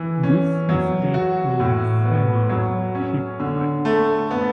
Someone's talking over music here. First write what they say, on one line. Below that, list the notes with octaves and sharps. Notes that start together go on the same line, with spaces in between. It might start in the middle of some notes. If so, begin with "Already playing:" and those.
This mistake caused several shipwrecks.
Already playing: E3
C#4
F#3
F#4
A2
B3
F#3
C#4
D3
A3
B3